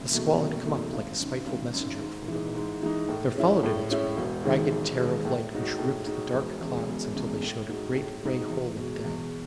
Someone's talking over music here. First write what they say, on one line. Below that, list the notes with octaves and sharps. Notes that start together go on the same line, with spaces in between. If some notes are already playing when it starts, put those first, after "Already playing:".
The squall had come up, like a spiteful messenger before the morning; there followed in its wake a ragged tear of light which ripped the dark clouds until they showed a great grey hole of day.
Already playing: F#1
E2 B2 A3 D#4
F#1
E2 B2 A3 D#4
G#1
F#2 D#3
G#1
F#2
D#3
G#2
E3 G#3 D#4
G#2
E3 G#3 D#4
A2
G#3 C#4 E4
A2
G#3 C#4 E4
E1
D#2 D#3 G#3
E1
D#2 D#3 G#3
A2
G#3 D#4 F#4
A2
G#3 D#4 F#4
E1
E2 C#3 G#3
E1
E2 C#3 G#3
A2
G#3 D#4 F#4
A2
G#3 D#4 F#4
E2
B2 G#3
E2